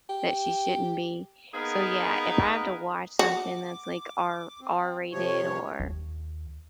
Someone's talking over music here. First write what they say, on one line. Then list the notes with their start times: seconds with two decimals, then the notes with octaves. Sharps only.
that she shouldn't be. So, yeah, if I have to watch something that's, like, R R-rated or,
0.09 G4
1.53 A#3 B3 D#4 G#4 A#4 B4
3.19 F#4 D6
4.61 C4
5.12 C3 F3 C#5
5.80 D#2